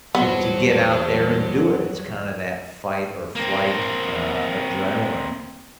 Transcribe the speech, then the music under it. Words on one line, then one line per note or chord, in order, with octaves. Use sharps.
to to get out there and do it. It's kinda that fight or flight, uh, adrenaline,
E2 G2 F#3 B3 A4 C5
A#3 C4